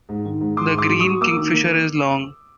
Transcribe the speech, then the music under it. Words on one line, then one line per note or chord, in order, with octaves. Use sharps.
The green kingfisher is long.
G#2
D#3
G#2
G#2 C6 D6
G#2 C6 D6
F#3
F#3 C#6 D#6
A#3 D6 E6
D#3
A#3